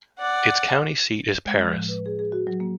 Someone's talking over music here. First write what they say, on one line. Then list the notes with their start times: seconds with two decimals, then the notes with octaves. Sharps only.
Its county seat is Paris.
0.19 D5 F#5
1.45 G#3
1.62 F3
1.73 A2
1.89 B4
2.06 G#4
2.19 G#4
2.32 F#4
2.47 F#3
2.60 A#3